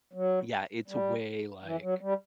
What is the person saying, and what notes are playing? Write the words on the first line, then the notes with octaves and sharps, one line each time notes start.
Yeah, it's way like
F#3
G3
E3
F#3
G3